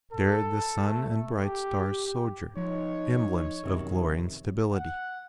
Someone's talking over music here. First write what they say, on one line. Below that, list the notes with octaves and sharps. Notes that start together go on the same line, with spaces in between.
There the sun and bright stars sojourn, emblems of glory and stability.
A4
A3
G4
F3 D#4 C#5
F#2 C3 D#3
F#5